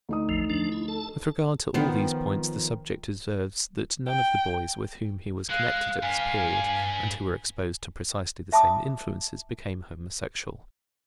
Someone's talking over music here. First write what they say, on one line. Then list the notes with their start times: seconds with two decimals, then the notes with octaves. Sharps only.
With regard to all these points the subject observes that none of the boys with whom he was connected at this period, and who were exposed to precisely the same influences, became homosexual.
0.09 D2 D#4 D#6
0.29 A1 E2 F3
0.50 F3 D4
0.72 E4
0.88 A4 A5
1.74 D#3 F3 B3
4.07 G5
5.50 G#3 F5 F#6
6.03 G2 G4 G#5
8.52 E5 A5 B5 D6 D#6